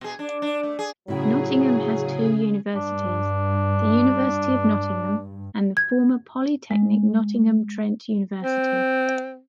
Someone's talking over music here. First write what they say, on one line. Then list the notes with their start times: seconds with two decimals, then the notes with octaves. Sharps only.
Nottingham has two universities, the University of Nottingham and the former polytechnic Nottingham Trent University.
0.01 B2 G#4
0.19 D4
0.42 D4
0.63 A3
0.79 G#4
1.08 A2 C#3 F#3 E4 G#4 G5
2.75 G2 D4
5.77 G#6
6.71 G#3
8.43 C4